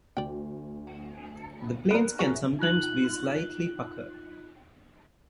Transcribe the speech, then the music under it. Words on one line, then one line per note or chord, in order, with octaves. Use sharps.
The planes can sometimes be slightly puckered.
D2 D5 G5
B3 A#4 D5 F#6
F#4 G#4 C#5
D#4 F4 F#6 F#7